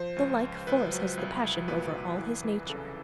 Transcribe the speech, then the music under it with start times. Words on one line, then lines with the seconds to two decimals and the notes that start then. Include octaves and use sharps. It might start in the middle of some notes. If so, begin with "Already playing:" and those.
The like force has the passion over all his nature.
Already playing: F3 C5
0.16 C#2
0.42 C#2
0.67 C#2 B4
0.92 F#3
1.17 C2
1.44 C2
1.68 A#2 B4
1.93 C2
2.19 E3
2.44 E3
2.69 C#3 A4